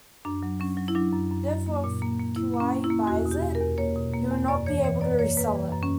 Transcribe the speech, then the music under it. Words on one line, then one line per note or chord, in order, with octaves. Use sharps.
Therefore, if Keawe buys it, he will not be able to resell it.
F#2 D4
F#3
F#3 C#4
F#3
E4
F#3 D4
F#2
F#2
F#2
A#3
A#2
A#3
A#3
A#3 E4
A#3
C#4
A#3
E4
A#3
E2 F#4
B2
G4
E2
A#4
E2
A#3 C#5
B2
A#3
E2
F#2 D5
E3 C#5
E3 C#5
F#2 D5
A#3 C#5
A#3 B4
E3
F#2
C#4